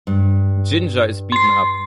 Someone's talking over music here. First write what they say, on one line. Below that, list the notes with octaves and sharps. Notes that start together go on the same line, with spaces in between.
Ginger is beaten up.
G2
C6 C7